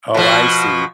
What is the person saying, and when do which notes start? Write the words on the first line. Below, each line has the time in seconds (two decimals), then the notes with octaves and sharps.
Oh, I see.
0.14 B2 F3